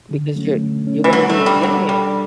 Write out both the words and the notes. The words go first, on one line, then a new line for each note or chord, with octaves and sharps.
because you're you're gonna be yeah.
D3
F#3 A3 C#4
D3
F#3 A3 C#4
E3
F#3 G3
A3
D4 A4 D5
G3
F#3 G3
G3 D4 A4 D5